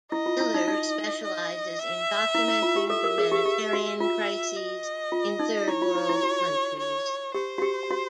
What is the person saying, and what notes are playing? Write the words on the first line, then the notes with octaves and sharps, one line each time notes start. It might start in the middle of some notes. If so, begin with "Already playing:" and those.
Miller specializes in documenting humanitarian crises in third world countries.
E4 D#5
F4
E4
D#4
D#4
D#5
E5
E4
E4
F4
G4
A4 E5
A#4
G#4
G4
G4
F#4
F4 E5
D#5
F4
D#4
E4 C#5
F4
E4
E4
F#4
C#5
G4 C5
F#4
G4
F#4